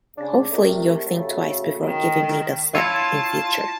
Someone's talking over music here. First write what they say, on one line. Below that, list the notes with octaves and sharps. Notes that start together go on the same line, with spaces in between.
Hopefully, you'll think twice before giving me the slip in future.
C#3 D4
C3 A3 A#4
A2 C#3 F#4
D#3
E4 F4 C#5 A5